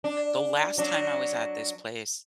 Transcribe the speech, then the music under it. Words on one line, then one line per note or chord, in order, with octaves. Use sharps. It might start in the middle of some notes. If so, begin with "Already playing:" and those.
the last time I was at this place,
D4
F#3 D4